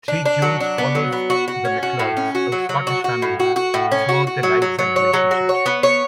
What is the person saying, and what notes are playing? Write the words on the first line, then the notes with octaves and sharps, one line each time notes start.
"Three Junes" follows the McLeods, a Scottish family, throughout their lives and relationships.
D4
D4
F#3
D4
B3
F#3
B3
F#4
F#4
C#4
F#4
A2
C#4
F#4
F#3
F#3
F#4
F#4
A2
F#4
F#4
A2
C#4
F#4
F#4
F#3
F#3
F#3
C#5
F#3
F#4
C#5
B3
C#5